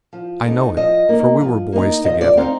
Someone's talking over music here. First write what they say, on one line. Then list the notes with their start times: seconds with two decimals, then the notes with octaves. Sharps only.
I know it, for we were boys together.
0.13 F3
0.45 A3 D#4
0.77 F3 D#5
1.09 A#3 D#4
1.41 F3
1.72 A#3 D#4
2.04 F3 D#5
2.21 D5
2.37 C4 F5
2.41 D#4